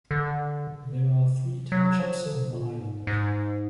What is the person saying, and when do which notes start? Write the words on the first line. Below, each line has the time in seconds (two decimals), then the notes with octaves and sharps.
There are three townships on the island.
0.11 D3
1.72 F#3
1.99 F3
2.26 D3
2.53 A#2
2.79 G#2
3.07 G#2